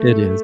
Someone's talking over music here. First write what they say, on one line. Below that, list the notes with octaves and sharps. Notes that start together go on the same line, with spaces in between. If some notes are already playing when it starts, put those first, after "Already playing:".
It is.
Already playing: A3